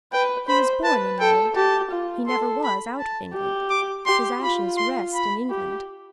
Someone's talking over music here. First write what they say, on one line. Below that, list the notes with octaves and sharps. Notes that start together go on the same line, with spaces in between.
He was born in England; he never was out of England; his ashes rest in England.
B4 G5
C5 B5
B4 A5
A4 G5
G4 A5
F4
A4 C6
B5
A5
G4
D6
G4 C6
F4 B5
C6
B5
G4